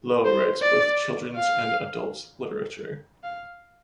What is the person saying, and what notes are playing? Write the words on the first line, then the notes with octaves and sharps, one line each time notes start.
Loe writes both children's and adult literature.
C5
D5
F5
F5